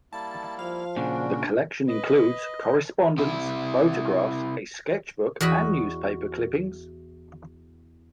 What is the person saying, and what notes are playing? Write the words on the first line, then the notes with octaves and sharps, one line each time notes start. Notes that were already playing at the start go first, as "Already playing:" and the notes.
The collection includes correspondence, photographs, a sketchbook, and newspaper clippings.
G3 A#3 E4 A5
F3 F5
A#2 C#3 C#4 D4 F#4
B4 D#5
C3 E4
E2 F#4 D#5 B5